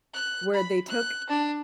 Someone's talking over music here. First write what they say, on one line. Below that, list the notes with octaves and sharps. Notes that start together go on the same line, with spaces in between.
where they took
F#6
B5
F#6
D4